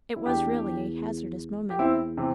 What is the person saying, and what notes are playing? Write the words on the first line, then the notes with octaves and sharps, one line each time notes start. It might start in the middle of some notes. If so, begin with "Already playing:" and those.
It was really a hazardous moment.
E4
E2 D4 G4
G4
E2 C4 E4
C3 E3